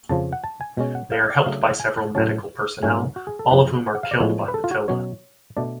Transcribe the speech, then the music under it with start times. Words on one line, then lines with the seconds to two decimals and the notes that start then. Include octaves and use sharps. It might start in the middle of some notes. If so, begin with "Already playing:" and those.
They are helped by several medical personnel, all of whom are killed by Matilda.
0.09 F2 C#3 F3 A5
0.33 F#5
0.44 A5
0.61 G#5
0.77 B2 G#3 C#4
0.95 F#5
1.12 F5
1.30 D5
1.46 C#3 F#3 A3 D4 F5
1.63 F#5
1.80 G#5
1.98 A5
2.15 A2 F#3 C#4 A5
2.83 G#2 F#3 A3 C#4 G#5
3.16 F#4
3.27 G#4
3.39 A4
3.51 F#2 F3 B3 D4 B4
3.87 G#5
3.95 F#5
4.03 F5
4.11 D5
4.20 A2 F3 G#3 B3 C#5
4.48 B4
4.54 A4
4.64 F4
4.71 F#4
4.88 B2 F#3 C#4 C#5
5.57 B2 A3 D4 D5